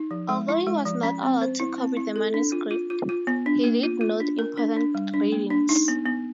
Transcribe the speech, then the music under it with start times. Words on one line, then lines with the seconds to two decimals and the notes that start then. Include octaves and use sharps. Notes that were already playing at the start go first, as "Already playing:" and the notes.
Although he was not allowed to copy the manuscript, he did note important readings.
Already playing: D#4
0.11 F3
0.29 G#3
0.49 E4
0.67 G#3
0.86 F3
1.03 C#4
1.23 C4
1.42 C5
1.60 E4
1.78 C4
1.97 E4
2.16 A4
2.34 D4
2.52 F4
2.71 F4
2.90 F4
3.09 F4
3.27 B3
3.46 D4
3.64 A#3
3.83 F4
4.01 F4
4.20 D4
4.39 A#4
4.57 D4
4.76 D4
4.95 G3
5.14 D4
5.32 A#3
5.50 D4
5.69 D#4
5.88 B3
6.06 B3